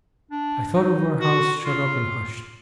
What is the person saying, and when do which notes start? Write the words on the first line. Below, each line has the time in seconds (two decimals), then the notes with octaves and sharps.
I thought of our house shut up and hushed.
0.31 D4
0.75 D#4
1.21 F#4
1.65 F4